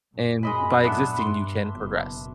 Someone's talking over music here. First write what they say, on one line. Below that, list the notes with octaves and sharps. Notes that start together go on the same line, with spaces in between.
and by existing, you can progress.
F#2 A#2
G#3 D#5 B5
B3 D4 E5
G2 C6
F#1 B2